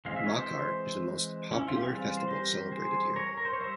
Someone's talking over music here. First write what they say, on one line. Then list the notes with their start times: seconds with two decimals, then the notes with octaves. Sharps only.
"Makar" is the most popular festival celebrated here.
0.05 E3 G#3 C4 F5
0.16 E5
0.26 C#5
0.36 C5 E5
1.51 C#4
1.59 E4
1.68 F4
1.76 G4
1.83 E3 G3 C4 F4 G#4
2.17 C5
2.28 G4 A#4
2.72 G#4 C5
3.16 A#4 C#5
3.37 A#4
3.45 C5
3.53 C#5
3.60 G3 C5 E5